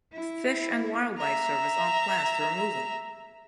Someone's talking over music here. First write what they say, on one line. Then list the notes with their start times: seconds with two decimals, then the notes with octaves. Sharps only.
Fish and Wildlife Service on plans to remove them.
0.12 E4
1.18 E5 A#5